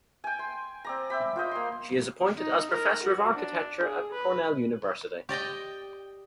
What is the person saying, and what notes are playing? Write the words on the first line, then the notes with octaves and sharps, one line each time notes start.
She is appointed as Professor of architecture at Cornell University.
G5 G#5
C6
C4 D5 A#5
E5 G5 B5
F4 C5 D#5 G5
A#3 C6
D#4
A#4
F#4
D4
G#4
B4
G4 D5 D#5 G5